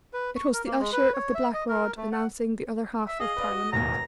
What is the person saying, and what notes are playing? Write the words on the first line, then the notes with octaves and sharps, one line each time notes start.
It was the Usher of the Black Rod announcing the other half of Parliament.
B4
C#6
A#4
A#3
G#3
B4
C#5
E5
D#5
A#4
A3
F#5
E5
G#4 D#5 F5
B4 D5 F5
F#4
E1 A1 D#2 A#5